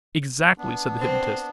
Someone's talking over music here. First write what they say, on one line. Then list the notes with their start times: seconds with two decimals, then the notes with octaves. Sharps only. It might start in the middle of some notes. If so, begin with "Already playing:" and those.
"Exactly," said the hypnotist.
0.58 B3 D4
1.01 C4